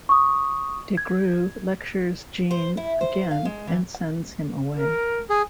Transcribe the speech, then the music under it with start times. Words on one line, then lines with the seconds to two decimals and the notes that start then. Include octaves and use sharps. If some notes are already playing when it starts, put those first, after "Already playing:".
Des Grieux lectures Jean again and sends him away.
0.09 C#6 D#6
0.97 G#6
2.51 C5
2.77 E4
3.01 C5
3.31 F5
3.45 G#3
3.67 E3
4.76 A#4
5.30 G#4 G#5